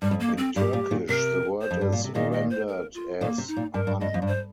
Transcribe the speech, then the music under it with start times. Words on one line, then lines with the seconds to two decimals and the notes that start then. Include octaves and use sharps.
In Turkish the word is rendered as "han".
0.02 G2 G3
0.11 F2
0.20 A#3
0.29 F2
0.38 C4
0.56 G2 G4
0.73 A#2
0.91 A#2 D#3
1.09 C3 A#4
1.61 C5
1.71 F2
1.81 G2
1.93 A#2
2.04 C3
2.15 A#2 D#3 D#5
2.32 D#5
2.50 C5
2.68 A#4
2.94 F4
3.21 A#2 D#3 A#3
3.38 C3
3.48 D#4
3.57 A#2
3.74 G2 A#4
3.87 G2
4.01 G2 D#5
4.14 F2
4.22 G2
4.27 C5